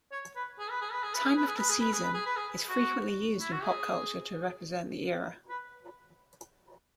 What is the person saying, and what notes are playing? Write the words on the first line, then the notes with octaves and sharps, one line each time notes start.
"Time of the Season" is frequently used in pop culture to represent the era.
C#5
B4
G#4
B4
G#4
B4
G#4
B4
G#4
B4
G#4
B4
G#4
B4
G#4
B4
G#4
B4
G#4
F#4
E4
F#4
G#4
B4